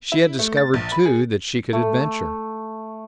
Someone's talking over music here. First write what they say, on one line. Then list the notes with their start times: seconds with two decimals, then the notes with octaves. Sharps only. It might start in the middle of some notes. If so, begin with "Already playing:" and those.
She had discovered, too, that she could adventure.
0.12 E4
0.39 A3
0.57 A6
0.74 A#1
0.92 B5
1.05 G#4
1.73 A3